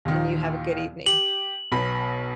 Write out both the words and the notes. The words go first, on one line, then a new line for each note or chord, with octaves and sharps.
And you have a good evening.
D#2 A#2 D#3
G4 F#7
B1 B2 B5